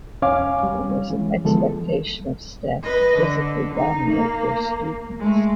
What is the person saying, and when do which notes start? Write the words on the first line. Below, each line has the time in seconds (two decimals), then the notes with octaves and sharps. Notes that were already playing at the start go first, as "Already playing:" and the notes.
There was an expectation of staff to "physically dominate their students".
0.22 C2 F2 C#4 F5 G#5 D6
0.63 G3
0.90 C#4
1.10 E3 G#3
1.45 D3 E3 F3 G#3 B3 A4
2.83 B4 D#5
3.18 D3
3.76 D#4
4.08 A#3
5.20 G#3 A3